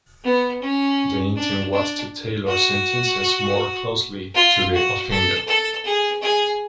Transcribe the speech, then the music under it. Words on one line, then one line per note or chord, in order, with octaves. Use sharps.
The intent was to tailor sentences more closely to the offender.
B3
C#4
D4
D4
F#4
F4
F#4
A4
A4
G#4
G#4